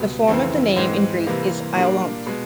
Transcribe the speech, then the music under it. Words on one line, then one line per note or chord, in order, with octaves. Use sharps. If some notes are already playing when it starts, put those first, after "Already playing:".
The form of the name in Greek is "Iolanthe".
Already playing: C#2 B2 G3
F2 C#3 E3 A3 C4
G#2 E3 G#3 C4
C3 E3 G3 A#3
A#2 G3 A#3 D4
B2 G#3